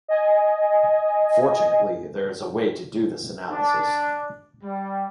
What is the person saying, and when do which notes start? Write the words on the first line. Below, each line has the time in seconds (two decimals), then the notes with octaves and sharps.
Fortunately, there is a way to do this analysis.
0.08 D#5 G#5
3.51 D4
4.63 G3